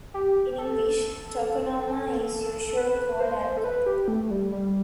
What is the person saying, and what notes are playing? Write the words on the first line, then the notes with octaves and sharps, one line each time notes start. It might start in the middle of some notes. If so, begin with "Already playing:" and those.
In English, "tokonoma" is usually called alcove.
G4
A4
B4
C5
A4
B4
G4
A3
G3
G3